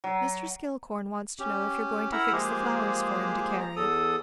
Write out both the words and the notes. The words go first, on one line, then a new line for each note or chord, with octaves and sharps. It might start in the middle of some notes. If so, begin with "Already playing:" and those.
"Mr. Skillcorn wants to know if you're going to fix the flowers for him to carry?"
F#3
C#4 G4
E4 A#4 F#5 A#5 B5 E6
F3 G#3 A#3 G4 G#4 C5
A#5
E2 A4 D#6